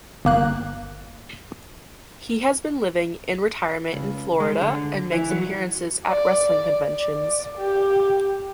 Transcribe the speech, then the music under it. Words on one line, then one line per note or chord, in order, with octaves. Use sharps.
He has been living in retirement in Florida and makes appearances at wrestling conventions.
G1 A#3 F#6
C#2
G#3
D3
E3
F#3
D5
D5
G4